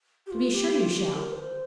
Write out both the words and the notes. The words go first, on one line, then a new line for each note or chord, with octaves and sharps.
"To be sure you shall."
G4
F4
G4
F4
G4
A#4
C5